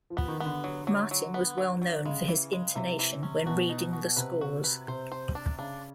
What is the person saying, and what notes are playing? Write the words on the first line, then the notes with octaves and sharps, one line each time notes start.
Martin was well known for his intonation when reading the scores.
F3
B3
D#3
B3
D3
F#3
F#3
F#3
B3
F#3
F#3
C#3 G#3
E3
G#3
C3 E3
E3
C#4
B2 F#4
D#4
F#4
C3 B4
F#4
B4
C3 C5
C5
D4
C#3 D4